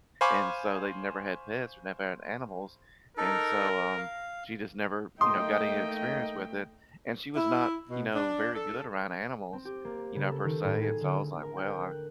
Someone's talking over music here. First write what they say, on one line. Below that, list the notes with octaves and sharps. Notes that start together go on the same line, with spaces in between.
and so they'd never had pets or never had animals, and so, um, she just never, you know, got any experience with it. And she was not, you know, very good around animals, you know, per se. and so, I was like, "Well, I
C5 F5 G#5 B5 C#6 D6
D#4 A4 A#4
F5
A3 A#3 D#4 D#5 G5 C6 D#6
E4
B2
D4
A4
C4
G4
A#3
C#3
A4
D#3
A2
G#4
D3
A#4
G5
F#6